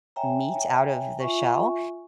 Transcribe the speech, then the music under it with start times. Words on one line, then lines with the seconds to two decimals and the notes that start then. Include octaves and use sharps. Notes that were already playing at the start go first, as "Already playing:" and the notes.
meat out of the shell,
0.16 C#5 E5 G5 G#5 A#5
1.20 F4 E5 G#5 C#6